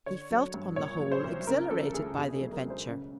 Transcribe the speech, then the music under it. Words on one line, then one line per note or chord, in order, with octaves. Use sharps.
He felt on the whole exhilarated by the adventure.
D3 C#5
F#3
G2
A#2 C#5
F#3
C5
C2
C#3 A#4
F3 A4
D2 G#4
B2 G#4
A4
F#3
A#4
C#2
C5
C#3